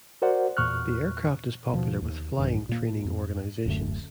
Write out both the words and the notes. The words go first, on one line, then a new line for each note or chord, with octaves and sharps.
The aircraft is popular with flying training organizations.
F#4 A#4 C5 D5 F#5
E2 A#2 C#6 F6 F#6
D#2 B2 F3
D#2
B1 G2 D#3
A#2 A#3
F2
D1 F#2 D3 A3